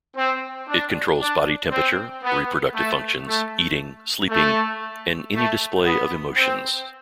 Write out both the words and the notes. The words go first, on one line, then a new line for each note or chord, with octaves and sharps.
It controls body temperature, reproductive functions, eating, sleeping, and any display of emotions.
C4
D4
D4
C4
B3
A3
A3
A3
A3
B3
C4